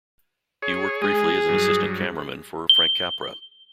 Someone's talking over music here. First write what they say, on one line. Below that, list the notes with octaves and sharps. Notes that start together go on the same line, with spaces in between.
He worked briefly as an assistant cameraman for Frank Capra.
G#4 C#5
G#3 G#4
G2 F#3
G7